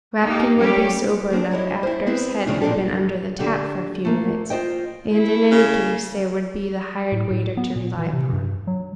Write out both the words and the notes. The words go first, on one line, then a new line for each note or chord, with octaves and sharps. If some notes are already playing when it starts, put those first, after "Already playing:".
Rapkin would be sober enough after his head had been under the tap for a few minutes, and in any case there would be the hired waiter to rely upon.
A#3 D#4 G4
F#3 G3 C#4 G4
E2 A#3 C4 D4
G3 E4 C#5 D#5
E4 C5
B3 C4 E4 B4
D2 C#3 F3 D#4
A#2 C4 D4 D#4 A4
D3 G4 F#5
A3 A#3 A#4
F4 F#4 C5 D#5 G5
E4
C#3
A2
A2
B3
A#2
E3
C3
G2
F#3